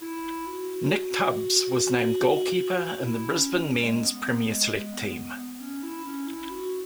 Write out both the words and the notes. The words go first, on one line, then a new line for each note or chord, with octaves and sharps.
Nick Tubbs was named Goalkeeper in the Brisbane Men's Premier Select Team.
E4
F#4
F#4
E4
C#4
C#4
G#3
B3
B3
G#3
B3
B3
C#4
E4
C#4
E4
F#4